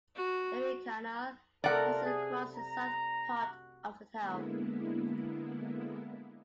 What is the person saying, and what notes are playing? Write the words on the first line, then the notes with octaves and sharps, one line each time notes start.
The Erie Canal passes across the south part of the town.
F#4
C3 A3 F4 A4 A#4 D5 F#5
G#4
A#5
F#4
D3 G#3 A#3 B3 E4